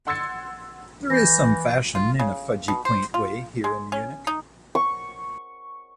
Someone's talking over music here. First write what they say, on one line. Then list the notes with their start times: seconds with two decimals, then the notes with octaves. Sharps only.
There is some fashion, in a fudgy quaint way, here in Munich.
0.07 F#5 C6 E6 G#6 A6 C#7
1.10 E3 G6 A#6
1.95 F4
2.19 C#3
2.68 B2
2.85 C5
3.14 F4
3.64 G#3
3.92 C#4
4.27 D#4
4.75 C#6